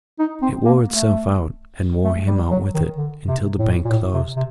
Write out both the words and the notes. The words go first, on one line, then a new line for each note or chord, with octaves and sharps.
It wore itself out, and wore him out with it, until the Bank closed.
D#4
C4
A#3
A3
A3
G3
F#3
D#3
D3
C3
A2
A#2
A2
C3
C3